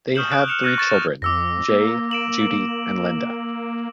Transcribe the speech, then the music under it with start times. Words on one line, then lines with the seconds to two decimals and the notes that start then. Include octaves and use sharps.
They had three children: Jay, Judy and Linda.
0.15 C#6 D#6 F6 G6 E7 F#7
0.32 F#6 D7
0.48 F6 F#6 C#7 E7 F7
0.63 F6 F#6 A6 A#6 C#7 D#7
0.78 C#6 A6 E7
0.94 F6
1.22 F2 D6 E6 A#6
1.69 A#3
2.11 D7 E7 F#7